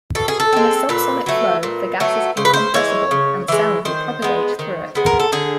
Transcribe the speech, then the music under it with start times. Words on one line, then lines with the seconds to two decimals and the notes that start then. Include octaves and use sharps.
In a subsonic flow the gas is incompressible, and sound will propagate through it.
0.15 B2 A4
0.28 G#4
0.40 A4
0.53 G#3 C4
0.89 A#2 B4
1.26 F#3 A3
1.63 A#2
2.00 F#3 A3
2.37 C#3 C5
2.45 B4
2.53 C5
2.74 E3 G#3 C#5
3.11 C#3
3.48 E3 G#3
3.85 D#3 C5
4.22 G#3 B3
4.59 D#3
4.95 G#3 B3
5.06 A#4
5.20 A4
5.32 D3 G#4